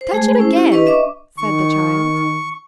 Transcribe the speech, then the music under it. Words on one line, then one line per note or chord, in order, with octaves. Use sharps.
"Touch it again," said the child.
C5
G#3 A3 G#4
C#4 E4 C5
E4 G4
D4 B4 D#5 C#6
D#5 E5 C#6 D6
D#3 C#6